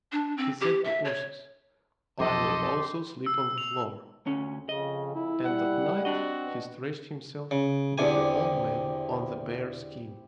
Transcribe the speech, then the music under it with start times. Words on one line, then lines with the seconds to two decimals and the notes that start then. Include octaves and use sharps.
He said to Ursus, "I will also sleep on the floor." And at night he stretched himself, with the old man, on the bear skin.
0.12 D4
0.37 C4
0.61 G4
0.85 E5
1.05 C#5
2.20 B1 F2 G4 A4 D#5 C6
3.26 E6
3.58 F7
4.26 D2 C#4
4.69 F2 C#3 D#5
5.15 E4
5.45 G3 F#5
6.05 C4 D4 F#4 D#5
6.44 B2
7.51 C#3
7.98 E2 D3 C4 E4 G4 G#5